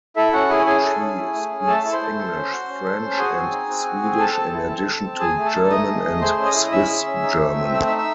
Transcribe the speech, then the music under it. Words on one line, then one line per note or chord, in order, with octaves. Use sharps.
She speaks English, French and Swedish in addition to German and Swiss German.
E4 A4 E5
C#4 F#4 F#5
E4 G#4 G#5
C#4 G#4 G#5
A4
C#4
E4
A3
C#4
A3 A4 A5
E4
C5 C6
A3
A4
C#4
F#4
C#4
A4
C#4
A5
F#4 G#4 G#5
C4
D#4
C4
F#4
C4
A4 A5
C4
E4
C4
A4
C4
G#4 G#5
A3
A4 A5
D#4
A3 D#5 D#6
G#4
A3
G#4 C5 C6
C#4
D#5 D#6
E4
C#4 E5 E6
G#4
C#4
D#4
A3
C4
A3 E6
D#4 E5 E6
E5 E6